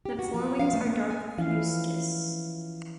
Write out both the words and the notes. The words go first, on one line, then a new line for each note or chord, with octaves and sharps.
The forewings are dark fuscous.
G4
F#4
F3
F5
A3
A#3
G#5
E3 F3 C#4 E4 F5